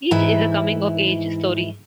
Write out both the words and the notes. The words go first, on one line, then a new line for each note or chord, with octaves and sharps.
Each is a coming of age story.
G#2 E3 E4 E5